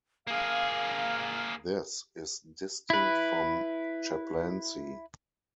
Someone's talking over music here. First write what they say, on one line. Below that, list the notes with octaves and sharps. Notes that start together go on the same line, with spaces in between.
This is distinct from chaplaincy.
A#3 G#4 F5 F6
E4 B4